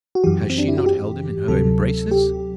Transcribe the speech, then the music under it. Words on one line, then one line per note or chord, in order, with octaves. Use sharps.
Has she not held him in her embraces?
F#4
F#2 E3 G4
C4
D4
E4
F#4
G4
D2 C3 F#3 A4
G4